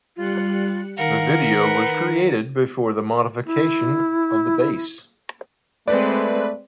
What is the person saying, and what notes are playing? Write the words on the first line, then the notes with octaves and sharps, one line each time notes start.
The video was created before the modification of the bass.
G3 F4 F#6 C#7
D#3 A#4 F5 F#5 C#7
B4
E4
G#3 A3 C4 B4 D5